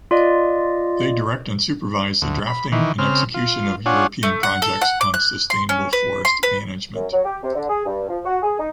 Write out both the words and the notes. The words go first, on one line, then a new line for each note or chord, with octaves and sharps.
They direct and supervise the drafting and execution of European projects on sustainable forest management.
F4 D5 D#5
D2
B5
D#3 E3
C#3 C4 F6
F4
D4 F4 C#5 F#5 G#5
A3
F#5
A4
F#5
D6
F#6
C6
C#4
B4
C6
B4
F#2
F#3
G4
C3
D3
G#4
G2
F3
F#4
G#4
D#4